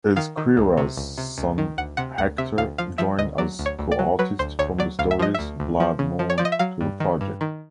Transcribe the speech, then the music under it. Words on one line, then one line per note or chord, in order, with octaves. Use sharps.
Ezquerra's son Hector joined as co-artist from the stories "Blood Moon" to "The Project".
D#3 F5
D#3
C#2
C3
C#2
C3
C#2
D#3
D2 F#5
C3 F#5
D2 F#5
C3 E5
D2 F5
F3 F5
F3 E5
D2 D#5
F#3 D5
D2
C#5
D2
D5
F#3
F#3 B4
D2 C5
D2 C#5
F#3 D5
D2 F5
E5
F3 D#5
D2 E5
D2
F3
C#3
F3
C#5
F3 D5
D#5
E5
F#3 F5
G2
D#3
G2
D#3